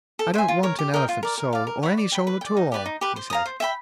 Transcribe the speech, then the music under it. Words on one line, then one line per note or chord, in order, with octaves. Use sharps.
"I don't want an elephant's soul, or any soul at all!" he said.
A4
C5 E5 G#5
F4
A#4 C#5
G4
A#4 D#5 G5
F4
A#4 D5
A#4
D5 F5
A#4
C#5 F#5 B5
D5
G5 B5
B4
G5
D5
D#4
G4 B4 D5
D#4
G4 B4
C5
F5 A#5 D#6
C5
E5 G5 B5